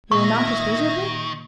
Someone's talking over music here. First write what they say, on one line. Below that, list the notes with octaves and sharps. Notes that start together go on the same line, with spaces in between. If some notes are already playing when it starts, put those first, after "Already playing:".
"You are not displeased with me?"
A#2 D#3 E5 C#6 G#6 A#6